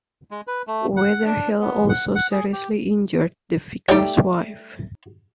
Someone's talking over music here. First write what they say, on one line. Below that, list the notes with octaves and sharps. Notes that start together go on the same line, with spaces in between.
Weatherhill also seriously injured the vicar's wife.
G#3
B4
A3
F#5
D4
B3
F#5
F#5
G#4
G4
G3 A3 D#4 G4 C#5